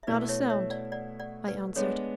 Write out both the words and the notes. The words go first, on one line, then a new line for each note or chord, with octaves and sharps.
"Not a sound!" I answered.
E5
B2 A3 E4 B4 D5
C#5 E5
C#5 E5
D5 F#5
D5 F#5
D5 F#5
B4 D5
G#3 B3 D4 A4 C#5